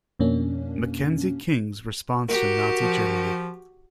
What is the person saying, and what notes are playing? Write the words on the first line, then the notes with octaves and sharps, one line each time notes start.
Mackenzie King's response to Nazi Germany.
F2 B2 A#3 C#4 D4
F#4 G4 A#4
F3